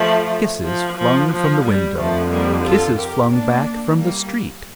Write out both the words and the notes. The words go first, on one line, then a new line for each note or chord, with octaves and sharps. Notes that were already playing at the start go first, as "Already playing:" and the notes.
Kisses flung from the window; kisses flung back from the street.
Already playing: F3 A3
F3
F3
F3
G3
F2 D3 F3 A3
G3 A#3
F4 A4
G4 A#4
A#3 D4
G3 A#3